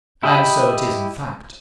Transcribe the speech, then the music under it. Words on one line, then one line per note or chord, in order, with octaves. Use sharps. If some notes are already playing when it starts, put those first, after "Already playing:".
And so it is in fact.
E4 G4 D#5 B5